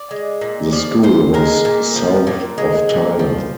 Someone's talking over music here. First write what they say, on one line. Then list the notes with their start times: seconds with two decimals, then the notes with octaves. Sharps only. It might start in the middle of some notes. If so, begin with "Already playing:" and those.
The school was south of Tyler.
Already playing: D5
0.11 G#3
0.41 A#2
0.72 F3 D5
1.03 A#2 C5
1.34 G#3 A#4
1.65 A#2
1.96 F3
2.27 A#2
2.58 G#3
2.89 A#2
3.19 F3